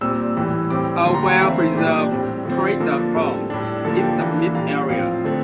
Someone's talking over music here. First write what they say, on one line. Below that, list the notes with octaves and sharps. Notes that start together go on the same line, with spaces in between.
A well-preserved crater forms its summit area.
A#2 G3 C4 E6
A2 E3 G3
A2 G3 C4 D6
D3 G3 A#3 C6
A#5
G5
F5
E3 A3 C4 E5
C5
A#2 G3 D4 G4
A2 G3 C4
D3 F3 C4
D3 F3 A#3 D4 A4
A2 G3 C4 A4
A2 G3 D4
D3 F3 A#3 A4
G4
A4
E3 A#3 D4
A#2 G3 A#3 F5
A2 F3 C4 F5
D3 A3 C4